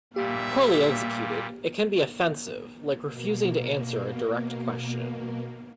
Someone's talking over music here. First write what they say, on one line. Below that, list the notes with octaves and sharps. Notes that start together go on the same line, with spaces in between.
Poorly executed, it can be offensive, like refusing to answer a direct question.
A#2 G3 A#3 G4 E5
B2 A#3